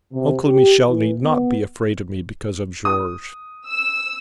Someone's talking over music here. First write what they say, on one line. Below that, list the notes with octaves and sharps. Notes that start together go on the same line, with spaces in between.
Uncle Michel need not be afraid of me, because of George.'
C3
G4
E3
B3
D#6
E6